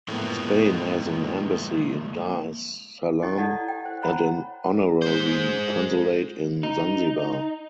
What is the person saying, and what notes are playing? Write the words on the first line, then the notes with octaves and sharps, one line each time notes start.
Spain has an embassy in Dar es Salaam and an honorary consulate in Zanzibar.
A2 F3 G#3 A#3 B3
E4 G4 C#5 D#5
E4 A4 D5 D#5 F#5 A5
G5
C5
C5 C#5 F#5 A#5 B5
G#3 C5
D#4